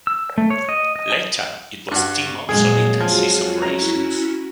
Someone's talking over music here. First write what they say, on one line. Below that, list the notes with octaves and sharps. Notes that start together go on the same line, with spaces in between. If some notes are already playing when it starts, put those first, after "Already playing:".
Later, it was deemed obsolete and ceased operations.
E6
A3
C#5
D#5
D#5
G2 F#4 C#6
F2 A#2 F#3 G#3 G#4
F3 F4 F#4 G#4
C#4 E4 F#4 A#5